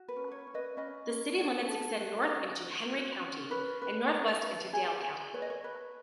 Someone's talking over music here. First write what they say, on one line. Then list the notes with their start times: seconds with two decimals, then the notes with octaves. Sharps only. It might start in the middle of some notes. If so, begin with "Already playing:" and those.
The city limits extend north into Henry County and northwest into Dale County.
Already playing: F#4
0.08 B4
0.16 C#4
0.31 C#5
0.47 C#4
0.54 B4 D#5
0.77 C#4 B4 D#5
1.08 C#4
1.38 A4 C#5
1.68 A4
1.99 F#4
2.30 C#4
2.60 F#4
2.90 F#4
3.21 C#4
3.51 C#4 B4
3.82 B4
4.12 C#4
4.43 B4
4.73 G#4
5.03 G#4
5.34 B4 C#5
5.42 D#5
5.50 C#5
5.64 B4